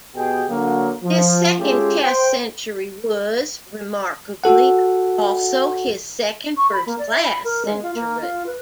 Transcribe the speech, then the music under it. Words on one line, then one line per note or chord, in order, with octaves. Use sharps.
This second Test century was, remarkably, also his second first-class century.
B2 G4 G#4 G5
D3 F#3 A#3
F3
G#3 A3 C#4 F4 G4 G#4
C5 G5
F#4 A4 F#5
C#6
B5
A#3
D5
E5
B5
A#4
G#3
F4
A#3
F4
B4